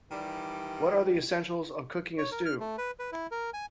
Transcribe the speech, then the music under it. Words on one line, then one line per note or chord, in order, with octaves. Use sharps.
What are the essentials of cooking a stew?
D#3 E3 G3
C#5
A#4
F6
A3
B4
B4
E4
A#4
G#5